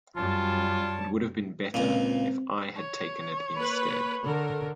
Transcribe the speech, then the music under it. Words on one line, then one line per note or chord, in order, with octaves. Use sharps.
It would have been better if I had taken it instead!
F#2 G3 F4 C#5 D5 A5
C#2 A#2 C4
C#5
A#3 B4 B5
D3 A4 A#4